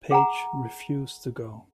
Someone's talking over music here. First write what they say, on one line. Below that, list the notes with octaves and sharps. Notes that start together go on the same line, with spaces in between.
Page refused to go.
G#4 F#5 G#5 A#5